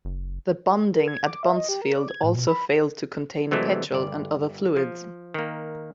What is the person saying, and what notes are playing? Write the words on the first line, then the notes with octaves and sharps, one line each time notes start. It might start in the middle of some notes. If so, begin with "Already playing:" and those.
The bunding at Buncefield also failed to contain petrol and other fluids.
F#1
A#4
G#6
D6
E5
D#5
G4
A#4
D5
G#6
A2
B2
B5
C3 E3 F#3 G#3 A3
G1 D5
F3
D#3 A#3